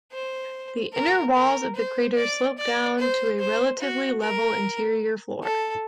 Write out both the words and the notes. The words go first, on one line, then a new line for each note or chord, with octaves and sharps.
The inner walls of the crater slope down to a relatively level interior floor.
C5
A#4
A#4
C5
D5
D5
C5
C5
F#4
A#4
A4